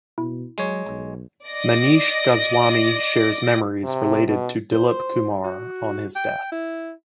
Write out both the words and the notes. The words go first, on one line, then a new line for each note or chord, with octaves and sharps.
Manish Goswami shares memories related to Dilip Kumar on his death.
B2 E4
F#3 G#3 C#5
B1
D5 D#5 A#6
C3
B2
C5
F#4
G5
E4